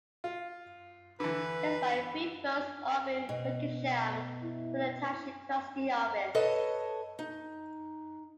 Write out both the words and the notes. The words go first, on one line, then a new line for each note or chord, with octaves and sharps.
Just by Three Votes Orvil Wickersham took the Township Trustee office.
F4
D3 E3 B4
B2
E4
A4 B4 C#5 D#5 A5
D#4